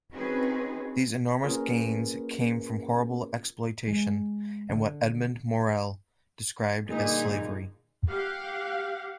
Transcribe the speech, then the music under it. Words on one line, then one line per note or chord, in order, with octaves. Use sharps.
These enormous gains came from horrible exploitation, and what Edmund Morel described as slavery.
C4 C#4 D#4 F#4 G#4 B4
A#3 C#4 F4 G#4 A#4 B4
G#3
D3
A#2 D3 G3 D#4 G#4
G4 F5 F#5